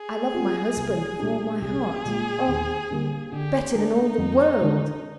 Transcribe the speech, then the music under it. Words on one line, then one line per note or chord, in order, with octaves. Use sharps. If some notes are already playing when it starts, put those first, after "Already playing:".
"I love my husband with all my heart,--oh, better than all the world."
Already playing: G#4
G3 C4 F4
C2
A#2 G3 D4
C2 G#4
A#2 G#3
D#2
D3 G3 A#3
D3 G4
G#3 D4 D#4
F2
D3 G#3 D4